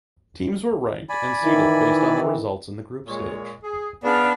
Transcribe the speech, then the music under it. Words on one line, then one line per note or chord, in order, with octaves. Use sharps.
Teams were ranked and seeded based on their results in the group stage.
D5 G#5 B5
D#3 E3
A#2 G#3 C#5
G#4
B3 D4 G#4 F5